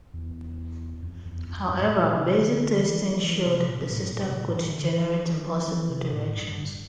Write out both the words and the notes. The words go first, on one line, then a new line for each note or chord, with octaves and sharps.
However, basic testing showed the system could generate impossible directions.
E2
F2
E2
F2
F2
G2
A2
A#2
C3
D3
E3
F3
F3
E3
C3
A#2
C3
A2
G2
A#2
C3
A#2
A2
E3
D3
E3
F3
E3
C3
A2
G2